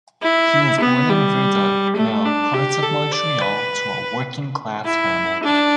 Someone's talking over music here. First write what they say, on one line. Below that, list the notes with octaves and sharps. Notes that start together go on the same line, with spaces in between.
He was born in Verdun, now part of Montreal, to a working-class family.
E4
B3
G3
A3
D4
G4
A4
D5
B4
E4
D4